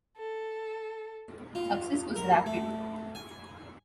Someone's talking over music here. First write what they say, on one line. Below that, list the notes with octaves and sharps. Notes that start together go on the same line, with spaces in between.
Success was rapid.
A4
F4
A#4
A3
G#5